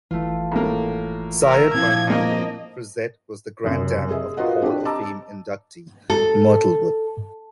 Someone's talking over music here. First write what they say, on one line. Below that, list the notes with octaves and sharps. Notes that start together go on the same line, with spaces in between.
Sired by Hamburg, Frizette was the granddam of the Hall of Fame inductee, Myrtlewood.
G1 E3 A3 F4
A2 A#3
A#4 E5
A#2 F3 C4 D4 E4 G#6
A#3 D#5
F#1 F#2 C3
G#4 D#5 E5
F4 F#4 A#4 B4 D#5 F#5
C4 D4 G4 C5
D#5 A5 A#5 D6 E6
A4